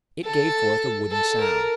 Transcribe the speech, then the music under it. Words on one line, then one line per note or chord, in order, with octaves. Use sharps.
It gave forth a wooden sound.
A4
A4
A#4